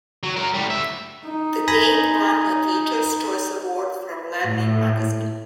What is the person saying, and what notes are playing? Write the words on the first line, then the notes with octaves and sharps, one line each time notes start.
The game won a Teacher's Choice Award from Learning Magazine.
F#3
F#3 A#4
A2 G3
D2 E5
D#4
G#5 B5 A#6
A2